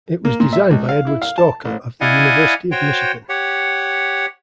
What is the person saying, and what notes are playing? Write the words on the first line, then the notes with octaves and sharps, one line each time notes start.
It was designed by Edward Stalker of the University of Michigan.
A#3
A#2
E5
C#2
F5
E4
F5
A5
A1
E4 D5 D#5 F5 F#5 G#5
F#4 C5 C#5 G5
G4 C#5 F#5